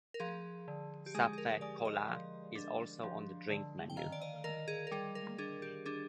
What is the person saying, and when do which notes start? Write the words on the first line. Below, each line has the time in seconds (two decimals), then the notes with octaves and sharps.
Ca Phe Cola is also on the drink menu.
0.14 A#4
0.20 F3 G#4
0.68 D3
1.06 G4
1.15 G#3 G#4
1.33 G#4
1.38 A#4
1.61 G#3 D5
1.85 D#5
2.08 F3
2.56 D4
3.03 F3
3.50 D3
3.90 G5
3.97 D#3 F5
4.12 D5
4.22 D#5
4.44 D#3 A#4
4.68 G#4
4.87 A#4
4.92 G3 G#4
5.15 A#4
5.38 D4 G#4
5.62 G4
5.86 D4 G#4